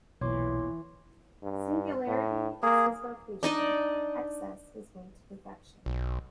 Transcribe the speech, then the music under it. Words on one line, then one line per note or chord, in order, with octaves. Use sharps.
Singularity is his vocation, excess his way to perfection.
E1 B1 E2 A#2 E3 C#5 C6 D6
G2
A2
A#3 G#4
D4 D#4 D5 D#5
B1